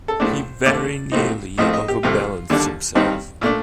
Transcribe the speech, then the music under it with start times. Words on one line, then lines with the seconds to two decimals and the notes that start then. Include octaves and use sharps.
He very nearly overbalanced himself.
0.08 A4
0.20 A#1 A2 A3 D4 C5
0.66 D#2 D3 A3 D4 D5
1.12 A#1 A2 A3 C4 D#4
1.58 A#1 A2 F3 A3 C4 D#5
1.73 D#5
1.88 G4
2.03 C2 C3 F3 A3 F4
2.50 D#2 D3 G3 D4
2.95 G2 D#3 G3 C4 D#4
3.41 A#2 A3 D4